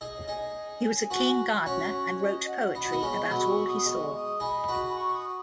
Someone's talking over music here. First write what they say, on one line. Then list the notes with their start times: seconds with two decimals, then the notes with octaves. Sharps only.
He was a keen gardener and wrote poetry about all he saw.
0.01 D#4 G#4 D#5
0.28 D#4 G#4 G#5
1.10 F#4 B4
1.66 C#4 F#4 C#5
2.21 D#5
2.48 F#5
2.75 D#4 B5
2.85 F#4
2.93 B3 D#4
3.03 G#3 C#4
3.24 C#6
3.30 F#3 B3 B5
3.49 C#6
3.68 D#6
3.86 G#3 C#6
4.13 D#6
4.40 D#4 G#4 B5
4.68 F#4 B4
4.95 C#6
5.15 D#6